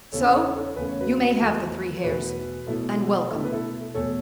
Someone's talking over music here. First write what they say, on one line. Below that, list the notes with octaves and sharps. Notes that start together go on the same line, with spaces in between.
So you may have the three hairs, and welcome.
E2 C#3 E3 A4 C#5
A4 C#5
A4 C#5
E2 C#3 A3 B4
C#5
F#4 B4
E2 E3 A3
C#5
E2 B2 A3 F#4 B4
B2 F#3 A3 E4 A4
B2 A3 E4 A4
B4
E4 A4
E2 B2 A3 A4 C#5